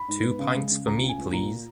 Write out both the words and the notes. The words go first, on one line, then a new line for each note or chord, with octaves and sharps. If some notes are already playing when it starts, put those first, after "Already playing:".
Two pints for me please.
Already playing: B5
G#2
B3
C#3
G#3
C#3
C#2 A#5
C#3
G#5
C#2
A#2 A#5